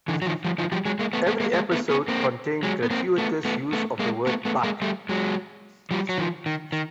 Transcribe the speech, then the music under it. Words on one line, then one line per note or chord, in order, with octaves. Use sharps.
Every episode contained gratuitous use of the word "butt".
D3 E3
F#3
D#3 F3
F3 G3
D#3 F3
F3 G3
F#3 G#3
G#3 A#3
A3 B3
A3 B3
G#3 A#3
G#3 A#3
A3 B3
B3 C#4
A#3 C4
F#3 G#3
B3
A#3 C4
A3 B3
A3 B3
A3 B3
G#3 A#3
A3 B3
A3 B3
G#3 A#3
G3 A3
F#3 G#3
F3 G3
F#3
D#3 F3
D#3
D#3